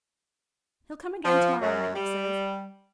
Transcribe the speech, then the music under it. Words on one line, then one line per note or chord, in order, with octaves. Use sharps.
'He'll come again to-morrow night, he says.
F3
F#2
G3